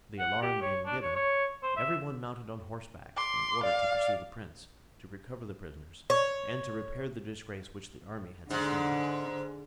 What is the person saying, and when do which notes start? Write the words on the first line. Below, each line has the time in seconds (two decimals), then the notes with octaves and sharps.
The alarm being given, every one mounted on horseback, in order to pursue the prince, to recover the prisoners, and to repair the disgrace which the army had sustained.
0.18 F#5
0.42 G4
0.62 C#5
0.86 D4
1.02 C#5
1.16 C#5
1.63 C5
1.77 E5
3.17 C6 D6
3.63 D5 F5
6.10 C#5
8.50 G#2 D3